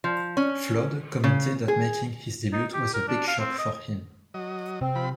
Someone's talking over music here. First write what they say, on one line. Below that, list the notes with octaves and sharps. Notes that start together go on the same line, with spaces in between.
Flood commented that making his debut was a "big shock" for him.
F3
C#4
C#3
G#4
D#4
G4
A#4
D4
F5
C4
D#5
F#3 D#5
C3 C4
F3 B5